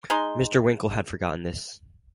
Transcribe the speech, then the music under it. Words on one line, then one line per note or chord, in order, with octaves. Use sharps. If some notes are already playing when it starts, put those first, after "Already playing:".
Mr. Winkle had forgotten this.
G#3 D#4 C6